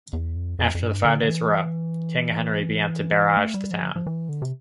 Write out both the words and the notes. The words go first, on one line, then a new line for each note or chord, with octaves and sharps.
After the five days were up, King Henry began to barrage the town.
E2
F2
F2
F2
G2
D3
D3
E3
A3
G3
F3
F3
E3
D3
C3